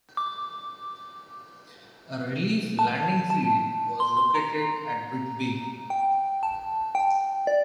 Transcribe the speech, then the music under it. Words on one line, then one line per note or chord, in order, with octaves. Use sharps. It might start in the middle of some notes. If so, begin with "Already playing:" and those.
A relief landing field was located at Whitby.
D6
A5
A5
C6
C6
A#5
G5
A5
G5
D5